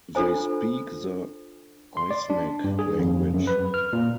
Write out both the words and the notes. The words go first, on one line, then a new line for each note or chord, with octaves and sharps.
They speak the Isneg language.
D4 F4 A4 C5 G#5
C6
D5
D4
G2
G#4
F2
F#2
B4
F6
A#2